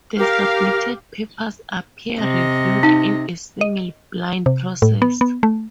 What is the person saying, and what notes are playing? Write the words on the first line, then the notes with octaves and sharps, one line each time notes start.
The submitted papers are peer-reviewed in a single-blind process.
G4 A#4 F5
C3 D#5
D#4
D#5
C3
A2
B3
B3
A3